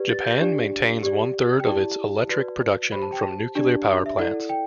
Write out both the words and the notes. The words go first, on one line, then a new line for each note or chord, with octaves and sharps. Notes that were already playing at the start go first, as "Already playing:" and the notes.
Japan maintains one third of its electric production from nuclear power plants.
Already playing: G4 B4 D5
A6
G6
D4 G4 D5
G4 D5
G5
E4 G4 D5 A5
F#4 B4 D5
G4 C5 B5
A5
G5
A5
D4 G4 D5
E5
E4 A4 D5 F#5
G5